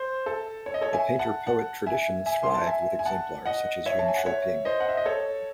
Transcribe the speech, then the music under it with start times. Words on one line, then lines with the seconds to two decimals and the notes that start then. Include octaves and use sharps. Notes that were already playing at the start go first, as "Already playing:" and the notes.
The painter-poet tradition thrived with exemplars such as Yun Shouping.
Already playing: C5
0.26 A4
0.66 C#5
0.74 D#5
0.81 A4 C#5
0.93 E5 G#5
1.19 F#5 A5
1.47 F#5 A5
1.86 E5 G#5
2.26 E5 G#5
2.43 C6
2.54 A5
2.66 E5 G#5
2.99 G#5
3.06 F#5 A5
3.46 D#5 F#5
3.86 C#5 E5
3.99 A5
4.08 G#5
4.17 F#5
4.25 C#5 E5
4.65 C5 D#5
4.80 F#5
4.89 E5
4.97 D#5
5.05 A4 C#5